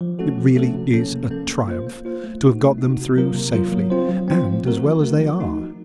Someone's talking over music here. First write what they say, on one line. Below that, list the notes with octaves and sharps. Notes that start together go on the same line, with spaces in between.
It really is a triumph to have got them through safely and as well as they are.
F3
A3 C#4 F#4 A4
F3
A3 C#4 F#4 A4
C3
F3 A#3 C#4 A4
C3
F3 A#3 C#4 A4
A#3
F4 C5
A#3
F4 C5
A3
D#4 F#4
A3
D#4 F#4
C3
F#3 A#3 F4 A#4
C3
F#3 A#3 F4 A#4
F#3
C4 F4 C5
F#3
C4 F4 C5
F3
A3 C4 F#4 A#4
F3
A3 C4 F#4 A#4
F3
A3 D#4 F#4
F3